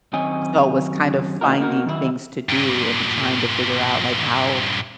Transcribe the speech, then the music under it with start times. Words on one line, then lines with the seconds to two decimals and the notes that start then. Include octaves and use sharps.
So, it was kind of finding things to do and trying to figure out, like, how,
0.13 F#2 D#3 C4 C#5 D#5 G#5
1.41 A2 E3 C4 D#4 F#4 A#4
1.59 A#3 D#4 F#4 A#4
1.85 F#2 D#3 E4
2.49 G2 A#2